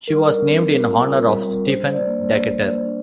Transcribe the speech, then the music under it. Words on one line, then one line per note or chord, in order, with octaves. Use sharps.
She was named in honor of Stephen Decatur.
G3 A#4
C4
F4
G3
D4 C5
D5
A#3
A#3
D4